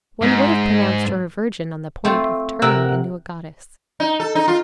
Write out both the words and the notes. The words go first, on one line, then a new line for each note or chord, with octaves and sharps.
One would have pronounced her a virgin on the point of turning into a goddess.
G#2
A3 C4 F4
C3 A#4 F#5 E6
D#4
A4
D#4
F4